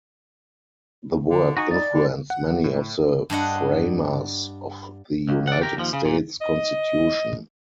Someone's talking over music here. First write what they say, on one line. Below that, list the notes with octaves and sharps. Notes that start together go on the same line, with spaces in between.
The work influenced many of the framers of the United States Constitution.
D3
D#4 F#4 G#5 C#6
D5
D3
F#5
A2
G2 D4 D#5 F#5
C#2
D5 F#5
G4 A#4
D#2 F3
C#3
A#2
D#5